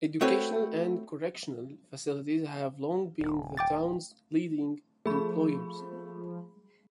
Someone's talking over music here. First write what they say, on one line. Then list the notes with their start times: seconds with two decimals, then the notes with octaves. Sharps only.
Educational and correctional facilities have long been the town's leading employers.
0.21 A3 C4 F#4 B4 C#5
3.20 D#1
3.57 G5 D6 A6
5.06 F3 A3 G#4 B5